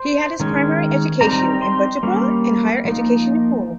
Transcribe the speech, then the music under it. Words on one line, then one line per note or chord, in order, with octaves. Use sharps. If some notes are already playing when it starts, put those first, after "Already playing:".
He had his primary education in Bijapur and higher education in Pune.
Already playing: C5
D#3 G#3 C#4
G3 C4 D#4 A#5
C6
G3 A#3 C#4
F3 A#3 D#4